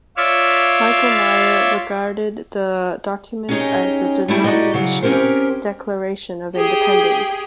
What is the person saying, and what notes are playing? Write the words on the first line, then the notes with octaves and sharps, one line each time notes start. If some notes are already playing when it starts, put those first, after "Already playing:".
Michael Meyer regarded the document as the denominational declaration of independence.
F4 C#5 D5 E5 F5
C#4 D#4 G4 G#4 C#5 D#5
G3 A3 E4 G4 G#4
D#4 F#4 G4 D5 D#5
C#3 F#3 G3
C4 C#4 G4 A#4 C5
G4 G#4